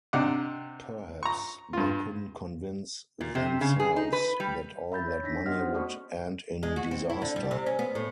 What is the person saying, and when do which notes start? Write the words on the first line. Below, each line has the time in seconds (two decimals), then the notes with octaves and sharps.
Perhaps they couldn't convince themselves that all that money would end in disaster.
0.13 C3 D4 D#4 G4 F#5 D6
1.23 A#5 C#6
1.73 G2 F4
3.21 A#2
3.35 C3
3.61 C#3
3.80 G#4
3.96 D#4
4.13 B4
4.40 G3
4.92 E5 B5 G6 A6
5.08 C#5
5.23 D4 D#4 A#6 B6
5.46 B3 G4 D#5 F#5 F6
5.59 C#4 D#4 F#4 G4 C5
5.74 A3 C#4 F#4 A4 D5 C#6
6.63 G#3
6.76 F#4
6.91 C4
7.10 E4
7.22 D3
7.36 G3
7.51 C3
7.66 C#4
7.79 B3
7.95 A2